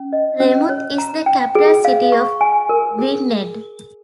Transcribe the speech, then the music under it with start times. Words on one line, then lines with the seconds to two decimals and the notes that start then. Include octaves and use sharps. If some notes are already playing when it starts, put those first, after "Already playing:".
Rhemuth is the capital city of Gwynedd.
Already playing: C#4
0.13 D#5
0.40 C#4
0.69 C#5
0.98 A#5
1.26 G5
1.55 G#4
1.85 F5
2.12 C#6
2.41 G#5
2.69 A#4
2.99 G#4